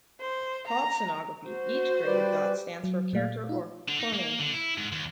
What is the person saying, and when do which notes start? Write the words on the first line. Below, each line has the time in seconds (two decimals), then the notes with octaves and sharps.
Called "sonography", each grid of dots stands for a character or phoneme.
0.20 C5
0.67 A#5
1.44 F#4 C5
2.06 G3 B4 D5
2.84 F#3
3.13 A#2 A3 F5
3.49 D#4 F4
3.89 D3
4.00 D#4
4.14 A#3
4.40 D3
4.53 E4
4.78 G#2
4.92 D#2